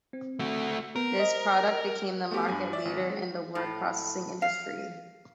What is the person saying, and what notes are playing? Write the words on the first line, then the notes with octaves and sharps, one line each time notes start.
This product became the market leader in the word processing industry.
C4
A3 F#4
B3 A#4
C5 D#5
A3 B3 F#4 G4
G2 G#5
D5 E5
G#1
G#3
A2
F5